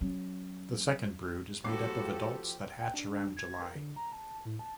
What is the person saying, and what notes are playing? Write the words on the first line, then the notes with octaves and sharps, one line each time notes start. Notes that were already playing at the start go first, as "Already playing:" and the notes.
The second brood is made up of adults that hatch around July.
F#3 C#4
G1 F3 F#4 G4 A4 D6 C7
G5
D4
G#6
A#4
D3
A#5
A5
A2
A5